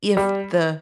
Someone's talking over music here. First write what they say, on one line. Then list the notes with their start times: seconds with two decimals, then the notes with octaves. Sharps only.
If the
0.17 G3